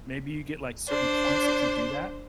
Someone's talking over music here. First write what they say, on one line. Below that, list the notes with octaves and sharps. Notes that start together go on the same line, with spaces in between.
maybe you get, like, certain points if you do that,
D4 C5